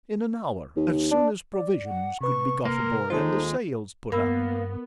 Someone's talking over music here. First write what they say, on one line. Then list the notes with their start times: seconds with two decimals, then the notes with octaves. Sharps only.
"In an hour; as soon as provisions could be got aboard and the sails put up."
0.76 D#2
1.11 D4
1.54 D5
1.86 F#5
2.21 C3 B4 C#6
2.65 A#3 A#4 C6
3.10 D#2 G#3 D#4 F4 A4 C5
4.12 G2 A#3 B3 A#4 B5 E6